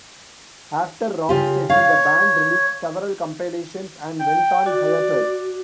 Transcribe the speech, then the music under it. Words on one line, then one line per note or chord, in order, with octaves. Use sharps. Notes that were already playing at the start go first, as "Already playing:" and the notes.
After "Rock Steady", the band released several compilations and went on hiatus.
C#3 F4 G4
C#5 F5
G5
F#4 D5